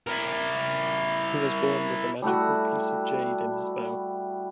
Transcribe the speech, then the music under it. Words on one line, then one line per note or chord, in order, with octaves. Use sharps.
He was born with a magical piece of "jade" in his mouth.
E4 A#4
G3 A3 E4 F#4